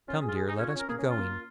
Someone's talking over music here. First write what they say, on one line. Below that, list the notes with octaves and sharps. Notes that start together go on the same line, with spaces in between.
Come, dear; let us be going.'
C#4 F4
G#4
F4
G#4
D#4 G#4
C#4
F4
C#5
C#4
A#4
A#3 G#4
C#4
C#4 F4
A#3